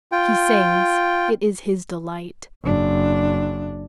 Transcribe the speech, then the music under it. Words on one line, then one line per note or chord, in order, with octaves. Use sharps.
He sings; it is his delight.
F4 G5
F#1 D4